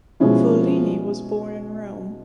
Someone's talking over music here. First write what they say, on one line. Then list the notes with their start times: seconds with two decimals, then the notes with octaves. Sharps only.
Follini was born in Rome.
0.20 B2 F3 G#3 C#4 E4